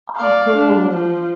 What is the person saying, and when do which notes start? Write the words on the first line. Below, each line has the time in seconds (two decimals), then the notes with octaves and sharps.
Oh, cool.
0.18 D5 F5
0.57 D4
0.93 F3